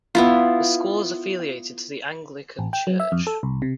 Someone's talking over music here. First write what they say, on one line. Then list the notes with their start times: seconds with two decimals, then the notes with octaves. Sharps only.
The school is affiliated to the Anglican church.
0.15 B3 E4 F4
2.59 A1
2.73 G5
2.87 F#3
3.00 E5
3.12 F2
3.27 A4
3.43 C2
3.62 C3